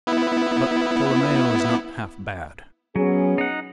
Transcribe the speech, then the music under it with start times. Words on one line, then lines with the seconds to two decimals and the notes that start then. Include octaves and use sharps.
But Tolomeo is not half bad.
0.07 B3 E4
2.96 F#3 B3 C#4 G#4
3.38 D#4 F#5